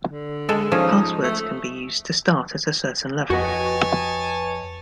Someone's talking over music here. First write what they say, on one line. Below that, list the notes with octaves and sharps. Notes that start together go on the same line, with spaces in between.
Passwords can be used to start at a certain level.
D3
G#3 A4
F3 C#4 D#4
A3
F2 F#4 G4 B4 C#5 D#5 G#5 A5